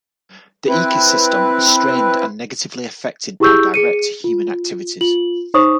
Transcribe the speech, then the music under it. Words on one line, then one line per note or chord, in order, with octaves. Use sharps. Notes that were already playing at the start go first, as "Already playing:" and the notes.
The ecosystem is strained and negatively affected by direct human activities.
C4 E4 B4
E4 G4 G#4 C#6 E6 G6
G#4 C#7 D#7
F4
F4 F#7
D#4 C5 C#5 C#6 D#6